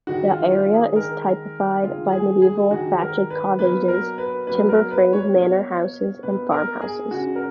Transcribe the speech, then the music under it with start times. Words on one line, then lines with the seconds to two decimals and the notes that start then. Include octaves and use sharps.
The area is typified by medieval thatched cottages, timber-framed manor houses and farmhouses.
0.07 D#3 G#3 F#4
0.30 F4
0.52 F4
0.74 G#4
0.95 D#3 G#3 A#4
1.83 D#3 G#3 F4
2.12 G#4
2.42 G#4
2.71 D#3 G#3 F#4
3.01 A#4
3.30 B4
3.59 B2 F#3 A#3 B4
3.88 A#4
4.18 B4
4.47 B2 F#3 A#3 B4
4.69 A#4
4.91 B4
5.13 C#5
5.35 B2 A#3
6.23 B2 A#3 B4
6.52 A#4
6.81 G#4
7.11 C#3 G#3 F#4
7.36 A#4